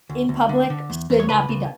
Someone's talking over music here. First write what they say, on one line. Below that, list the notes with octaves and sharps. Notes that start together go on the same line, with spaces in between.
in public should not be done.
D2
D2
D3
D3
E2
E2
C#5
C#2 B4
C#2